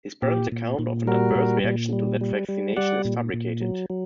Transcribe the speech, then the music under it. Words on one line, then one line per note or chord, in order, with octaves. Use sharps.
His parents' account of an adverse reaction to that vaccination is fabricated.
A#2 G4
A#2
A#2
G3 F#4 A#4
A#2
A#2
G3
G3
G3
G3 D5 F#5
A#2
A#2
F#3
F#3